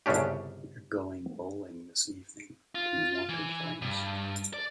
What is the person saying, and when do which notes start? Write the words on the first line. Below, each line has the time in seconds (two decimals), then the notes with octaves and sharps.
We're going bowling this evening, do you want to join us?
0.06 G1 C2 C#3 C#4 D4 G4
2.75 F4
3.29 E3
3.82 G2
4.54 D5